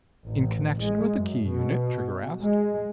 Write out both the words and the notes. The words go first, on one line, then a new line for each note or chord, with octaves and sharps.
"In connection with the key unit?" Trigger asked.
A1
G#3
F#2
B2
G#3